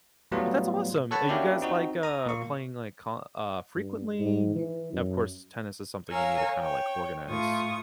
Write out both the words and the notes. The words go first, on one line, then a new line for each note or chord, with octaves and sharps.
But that's awesome! Uh, you guys, like, uh, playing, like, con n uh, frequently? Of course, tennis is something you need to kinda, like, organize
A2 F#3 G3 B3 F4
A4 C#5 F#5 A5 B5
A#3 C#4 D4 E4 F#4 G4
C4 D#4 F#4
A#5 D#6
A#2 A#3 C#6
G2
G#2
E3
F#2
A#4 C#5 F5 G#5 E6
C#5 G5
A2 F4 C#6 D#6